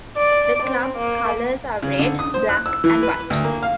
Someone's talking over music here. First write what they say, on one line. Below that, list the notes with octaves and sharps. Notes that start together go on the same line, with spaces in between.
The club's colors are red, black and white.
D5
C4
A#3
C#3
D3
D#6
C5
F#6
E6
E3
B4
D2
A#3
F5